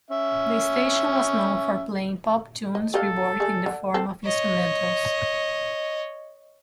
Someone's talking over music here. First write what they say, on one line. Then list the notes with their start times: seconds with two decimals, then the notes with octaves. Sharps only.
The station was known for playing pop tunes reworked in the form of instrumentals.
0.11 C#4 E5
2.75 D#5
2.94 G4 A4 D#5 F5
3.40 G3 A3 G#4
3.66 D3
3.94 C4 A4
4.25 C#5 D#5